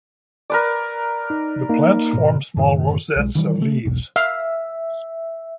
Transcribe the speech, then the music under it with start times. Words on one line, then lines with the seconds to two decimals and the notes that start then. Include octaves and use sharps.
The plants form small rosettes of leaves.
0.50 A#4 B4 D5
1.30 D#4
1.69 A#3 D#4
2.13 G#2 B2
2.57 F#2 A2 D#3
3.16 B1 G#3
3.35 D#3 E3 G3
3.62 A3
3.85 E1 B1
4.16 E5 F5